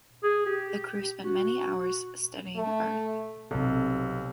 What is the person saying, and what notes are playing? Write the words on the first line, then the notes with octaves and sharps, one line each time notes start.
The crew spent many hours studying Earth.
G#4
G4
F#4
A3
B1 C3 A4